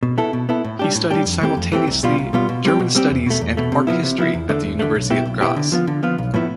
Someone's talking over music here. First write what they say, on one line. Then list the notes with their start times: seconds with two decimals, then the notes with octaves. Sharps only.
He studied simultaneously German studies and art history at the University of Graz.
0.03 B2
0.18 B3 E4 A4
0.33 B2
0.49 B3 E4 A4
0.64 A2
0.79 G3 D4 G4
0.95 A2
1.11 G3 D4 G4
1.26 F2
1.41 E3 A3 C4 G4
1.57 F2
1.72 E3 A3 C4 G4
1.87 C2
2.03 B2 G3 B3 F4
2.18 C2
2.33 B2 G3 B3 F4
2.49 B2
2.65 G3 C4 G4
2.80 B2
2.95 G3 C4 G4
3.10 E2
3.26 B2 A3
3.41 E2
3.57 B2 A3
3.72 C3
3.87 F3 B3 E4
4.03 C3
4.18 F3 B3 E4
4.34 E2
4.49 D3 A3
4.64 E2
4.79 D3 A3
4.95 B1
5.10 B2 B3 E4 G4
5.25 B1
5.41 B2 B3 E4 G4
5.56 D3
5.72 F3 B3 F4
5.87 D3
6.03 F3 B3 F4
6.18 B1
6.34 A2 F3 B3 E4